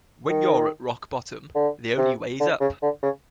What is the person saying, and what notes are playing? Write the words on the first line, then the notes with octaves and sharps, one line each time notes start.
When you're at rock bottom, the only way is up.
D#3
D3
C3
D3
C#3
D3
C#3